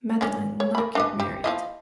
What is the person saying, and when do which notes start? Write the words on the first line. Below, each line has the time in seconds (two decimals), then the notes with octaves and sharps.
Madeleine will not get married.
0.21 D3 D#3 C#4
0.60 C#5
0.75 A#4 B5
0.95 D4 B4 D#5
1.20 G4
1.44 F3 E4 D#5